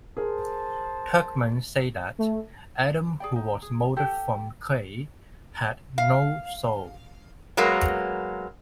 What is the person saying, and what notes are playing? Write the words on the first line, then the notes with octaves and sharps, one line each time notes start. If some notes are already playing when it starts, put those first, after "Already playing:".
Turkmen say that Adam who was moulded from clay had no soul.
G#4 A#4 C5 A5
A3
G#4 D5 G5
D#4
G#4
G4 A4 A5
F5
F#3 G#3 A#3 B3